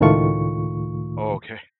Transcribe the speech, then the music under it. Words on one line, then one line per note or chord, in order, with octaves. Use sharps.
Oh, okay.
C#2 A2 D#3 A3 F4 C#6